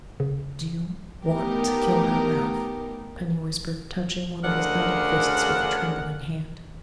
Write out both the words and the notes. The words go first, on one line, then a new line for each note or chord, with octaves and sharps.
"Did you--want to kill her, Ralph?" Penny whispered, touching one of his knotted fists with a trembling hand.
C#3
A3 B3 D#4 G4 A#4
D2 C#3 D4 A#4 F#5